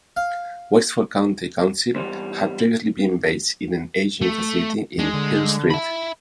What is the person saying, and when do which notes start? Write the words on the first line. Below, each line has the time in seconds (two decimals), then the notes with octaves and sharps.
Wexford County Council had previously been based in an aging facility in Hill Street.
0.17 F5
1.96 E2 G#2 G3 C4
4.21 A3
4.99 G#3 D4
5.14 D3
5.71 E5 B5